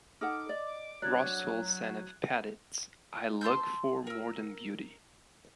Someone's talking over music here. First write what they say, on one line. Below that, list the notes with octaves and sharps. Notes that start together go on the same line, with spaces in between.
Rolston said of Patitz: I look for more than beauty.
D#4 A4 F#5 D6 F6
D5 D#5
F#3 D4 D5 F#6 G#6
A5 C6 E6 G6
A#4 E6